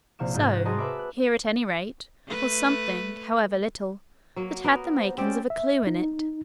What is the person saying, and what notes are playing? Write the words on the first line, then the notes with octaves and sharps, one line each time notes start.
So--here, at any rate, was something, however little, that had the makings of a clue in it.
A#1 C3 F5 C#6 E7
G#2 F4 G6 A6
F#6
F#4 G#4 A#4 D#5 A5 C6
B4 E5 B5 D6
F#6
A3 B4
F#3 A#3
A#3 B3 A#4
C5
C4 C#4 G4 D5
E5
D#4